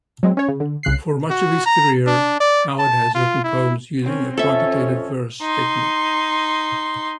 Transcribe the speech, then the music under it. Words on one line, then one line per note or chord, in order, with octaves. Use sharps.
For much of his career, Howard has written poems using a quantitative verse technique.
F#3 G#3 C4
C#4 C#5
C#3
D3
C2 C#3 F#6 C7
F#4
A#5
D4
D5
A5
F4
E4
C4 C#4
F2 C#4 A4 E5
D#4 C6